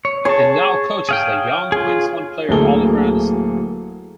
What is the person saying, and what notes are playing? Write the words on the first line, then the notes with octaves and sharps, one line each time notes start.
He now coaches the young Queensland player Oliver Anderson.
C#5
G#4 C#5 A5
G#4 F5 G5
F4 G#4
D1 D2 A#3 G#4 A4 G7